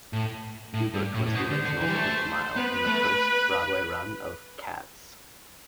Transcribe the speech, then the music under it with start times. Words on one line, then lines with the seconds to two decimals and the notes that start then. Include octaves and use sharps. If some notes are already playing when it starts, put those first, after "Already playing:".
Hubert was the original Tantomile in the first Broadway run of "Cats".
0.13 A2
0.74 A2
0.94 G2
1.14 A2
1.26 A2
1.35 B2 C5
1.50 D3
1.65 D3
1.81 E3
1.89 G3
1.95 A3
2.56 B3 B4
2.87 A3